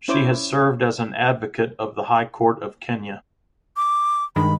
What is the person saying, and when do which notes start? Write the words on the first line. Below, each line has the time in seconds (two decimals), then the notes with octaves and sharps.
She has served as an advocate of the High Court of Kenya.
0.08 C#4 E4 C5 C#5 D6
3.77 D6
4.36 G2 D#3 G#3 B5